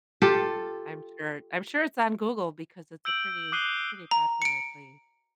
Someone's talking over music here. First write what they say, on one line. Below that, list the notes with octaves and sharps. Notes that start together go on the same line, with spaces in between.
I'm sure I'm sure it's on Google because it's a pretty pretty popular place.
F4 G4 A4
E6 G6 D7 F#7
D6 D#6 F#6 C7 D#7 G7
A#5
C#7 D7